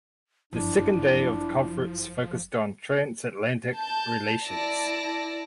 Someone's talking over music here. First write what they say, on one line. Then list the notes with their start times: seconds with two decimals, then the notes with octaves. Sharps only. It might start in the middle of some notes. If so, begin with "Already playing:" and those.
The second day of the conference focused on transatlantic relations.
0.53 G1 F#2 F3 D4 E4
3.76 A5 G6
4.42 E4 D5 A5 A#6